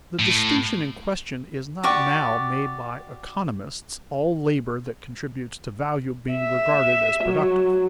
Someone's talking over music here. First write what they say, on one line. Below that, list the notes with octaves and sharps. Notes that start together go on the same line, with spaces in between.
The distinction in question is not now made by economists, all labor that contributes to value being regarded as productive.
A2
F#4 G4 D5 C#6
E5
F#3